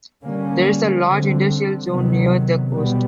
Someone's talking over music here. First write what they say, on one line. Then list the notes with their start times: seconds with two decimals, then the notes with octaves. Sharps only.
There is a large industrial zone near the coast.
0.26 D3 G3 A#3 C#4
1.07 D3 G3 C4
1.88 C3 D#3 F#3 B3
2.69 B2 G3 B3